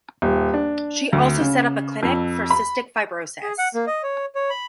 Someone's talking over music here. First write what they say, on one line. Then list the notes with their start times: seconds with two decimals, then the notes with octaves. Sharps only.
She also set up a clinic for cystic fibrosis.
0.22 D#1
0.54 D4
1.13 D2
1.40 C#3
2.03 F2
2.50 B5
3.42 G#4
3.58 F#5
3.74 A#3
3.87 D#5
4.03 C#5
4.35 C#5
4.50 B5